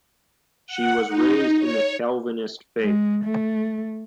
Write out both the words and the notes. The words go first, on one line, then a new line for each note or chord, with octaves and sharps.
She was raised in the Calvinist faith.
F#5
D#4
C#5
G#3
A3